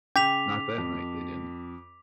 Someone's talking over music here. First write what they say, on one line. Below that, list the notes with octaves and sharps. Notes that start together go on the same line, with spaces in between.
Not that night they didn't.
C#3 G5 D6 B6 F7
F2